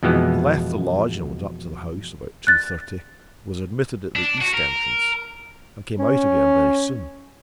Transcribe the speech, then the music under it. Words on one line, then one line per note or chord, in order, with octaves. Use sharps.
He left the lodge and went up to the house about two-thirty, was admitted at the east entrance and came out again very soon.
F2 B2 E3 G#3 B3
F#6 A6
D4
F#4
A#4
C#4